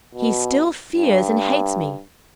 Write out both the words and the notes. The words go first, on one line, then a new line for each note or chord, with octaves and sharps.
He still fears and hates me.
B2
G2